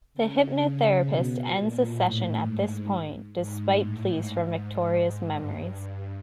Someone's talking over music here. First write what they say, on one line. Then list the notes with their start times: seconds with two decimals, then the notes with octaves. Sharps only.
The hypnotherapist ends the session at this point, despite pleas from Victoria's memories.
0.14 C#3
1.06 B2
1.52 A#2
1.98 A2
2.44 G#2
3.36 G#2
3.81 A2
4.11 G#2
4.42 G#2
4.72 G#2
5.02 G#2
5.33 G2
5.63 G2